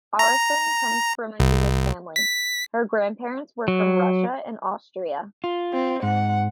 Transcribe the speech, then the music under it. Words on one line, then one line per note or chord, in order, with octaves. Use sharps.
Aronson comes from a Jewish family; her grandparents were from Russia and Austria.
A#5
C2
B6
F#3
F4
C4
G#2 F#5